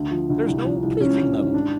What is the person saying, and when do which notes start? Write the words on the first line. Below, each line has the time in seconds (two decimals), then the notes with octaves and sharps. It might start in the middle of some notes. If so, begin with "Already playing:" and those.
There's no pleasing them!'
Already playing: D2
0.11 F3
0.30 D2
0.46 C2
0.65 F3
0.83 C2
1.00 F3 C#4
1.18 D3
1.36 G#1
1.54 D4